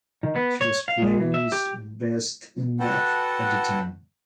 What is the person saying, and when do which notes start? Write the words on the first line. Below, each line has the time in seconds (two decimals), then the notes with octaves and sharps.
She was placed Best in Math at the time.
0.23 D#3
0.36 B3
0.61 C#5
0.88 F5
1.02 G#3
1.20 E3
1.34 E5
1.52 G4
2.80 F#4 A4 B4 F#5 G5 A5